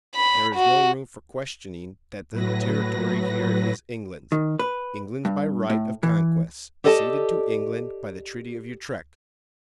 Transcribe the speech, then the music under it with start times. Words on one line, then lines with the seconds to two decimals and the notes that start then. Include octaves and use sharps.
There is no room for questioning that the territory here is England's--England's by right of conquest; ceded to England by the Treaty of Utrecht.
0.15 B5
0.55 F#4
2.31 A2 F#3 B4 A#6
4.32 D#3
4.59 B4
5.25 G2
5.70 A2
6.03 E3
6.84 G4 A4 D5 D#5 G#5 A5